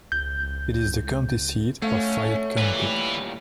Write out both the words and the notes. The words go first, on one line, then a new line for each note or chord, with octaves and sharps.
It is the county seat of Fayette County.
C#2 G6
A3 C#4 C#5 F5 F#5
A#2 E3 G3 B4